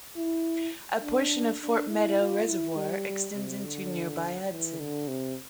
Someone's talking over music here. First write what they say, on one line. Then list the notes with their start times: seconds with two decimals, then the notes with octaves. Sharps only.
A portion of Fort Meadow Reservoir extends into nearby Hudson.
0.16 E4
1.03 D4
1.61 D4
1.90 E4
2.19 F4
2.48 E4
2.77 G3
3.35 C3
3.63 D3
4.51 E3
4.80 D3
5.08 C3